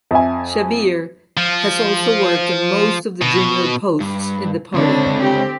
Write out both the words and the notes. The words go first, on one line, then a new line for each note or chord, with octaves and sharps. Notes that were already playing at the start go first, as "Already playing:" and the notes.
Shabbir has also worked on most of the junior posts in the party.
F2 E5 G#5
F3
B2
G2
C#2 D3 C4 D4 C#5
C4 G4